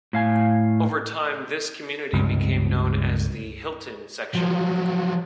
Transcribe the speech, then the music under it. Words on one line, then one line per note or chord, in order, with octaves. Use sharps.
Over time, this community became known as the Hilton section.
A2 F5 G#5
C#2 G2 C3
F3 F#3